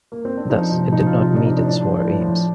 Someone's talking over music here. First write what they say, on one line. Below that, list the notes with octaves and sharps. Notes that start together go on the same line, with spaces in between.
Thus, it did not meet its war aims.
A#3
C4
D4
F3 D#4
C3
C4
F3 D#4
F4
C3
D#4
F3 D4
D#4
A2 D4
D4
F3
A2
F3